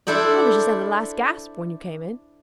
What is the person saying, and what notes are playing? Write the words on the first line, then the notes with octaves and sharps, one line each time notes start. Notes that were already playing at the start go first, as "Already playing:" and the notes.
I was just at the last gasp when you came in.
D4 E4 A4 C5 D5